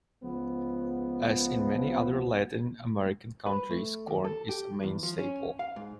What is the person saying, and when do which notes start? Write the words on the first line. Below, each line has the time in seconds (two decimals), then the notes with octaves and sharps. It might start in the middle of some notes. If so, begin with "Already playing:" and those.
As in many other Latin American countries, corn is a main staple.
0.22 C#2 F3 B3
3.46 B4
3.71 A3
4.07 D#2
4.25 A4
4.49 G4
4.83 E2
5.03 F3
5.18 C#4
5.59 F5
5.76 G#2